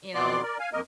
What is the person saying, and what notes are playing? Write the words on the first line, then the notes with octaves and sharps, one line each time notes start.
you know,
F2 B2 B3 D5 C6 D6
A#4 D5
F5 G#5
F2 A#3 A#4 D#5